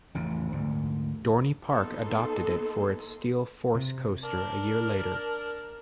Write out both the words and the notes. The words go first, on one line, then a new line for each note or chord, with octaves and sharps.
Dorney Park adopted it for its Steel Force coaster a year later.
A1 F2 C#3
D2 G#2
A#3 B3 D#4 A4 C6
C3
D4 A#4